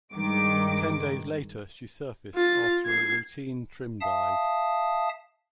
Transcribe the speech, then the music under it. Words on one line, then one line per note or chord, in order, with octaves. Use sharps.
Ten days later, she surfaced after a routine trim dive.
G2 D#3 G#3 D6
F4 A6
G#6 C7
E5 F5 A5 D#6